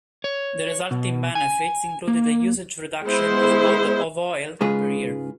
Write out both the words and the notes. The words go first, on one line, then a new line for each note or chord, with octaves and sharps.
The resulting benefits included a usage reduction of about of oil per year.
C#5
B2
G#5
A#3
G#3 B3 E4 C5
G#2 C#3 G#3 F4 G#4 B4